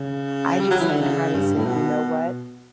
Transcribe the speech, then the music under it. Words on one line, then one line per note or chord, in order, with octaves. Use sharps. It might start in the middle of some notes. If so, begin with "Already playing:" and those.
I just had kinda said, "You know what"
Already playing: C#3
G3
F#3
E3
D3
C#3
G2
A2
B2